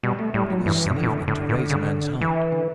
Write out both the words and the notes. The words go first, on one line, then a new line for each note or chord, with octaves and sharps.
It was an evening to raise a man's heart.
B2 G3
A3
A2 G3
F#3
G2 E3
G2
D3
B2
A2
A2 D3
A2
C#3
E3
D3